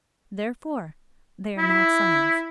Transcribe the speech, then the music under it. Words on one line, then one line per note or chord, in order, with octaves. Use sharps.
Therefore they are not signs.
E4